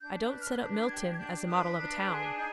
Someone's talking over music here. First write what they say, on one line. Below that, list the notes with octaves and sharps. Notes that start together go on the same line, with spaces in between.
'I don't set up Milton as a model of a town.'
D4 G6
G6
B4
F6
D4 G6
G6
G4 G#6
G#6
D4 G6
B4 D#6
D4
G#4
D#4 G6